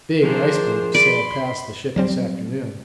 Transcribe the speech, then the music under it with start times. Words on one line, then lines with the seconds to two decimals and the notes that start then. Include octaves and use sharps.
A big iceberg sailed past the ship this afternoon.
0.23 F3 D4 G#4 A#4 C5
0.95 D5 B5 C6
1.96 F#3 G3 C4